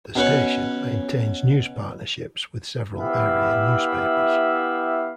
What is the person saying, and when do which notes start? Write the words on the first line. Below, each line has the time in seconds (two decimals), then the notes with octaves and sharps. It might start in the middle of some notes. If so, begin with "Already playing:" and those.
The station maintains news partnerships with several area newspapers.
0.15 B2 C#4 B4 C#6
2.97 B3 E4 G4 E5 F5 B5